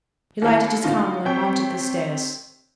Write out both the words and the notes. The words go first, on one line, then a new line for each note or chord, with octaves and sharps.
He lighted his candle and mounted the stairs.
D#2 E4
D3 D#4 F4
C3 C#5 G5 C#6